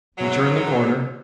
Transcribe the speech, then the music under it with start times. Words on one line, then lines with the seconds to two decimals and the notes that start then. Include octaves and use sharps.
He turned the corner.
0.18 G#2 E3 F#3